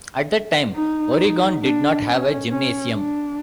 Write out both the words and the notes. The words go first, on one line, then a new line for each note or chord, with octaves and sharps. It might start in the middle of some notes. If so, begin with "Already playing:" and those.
At the time, Oregon did not have a gymnasium.
D#4
D#4
D4
C#4
C#4
D4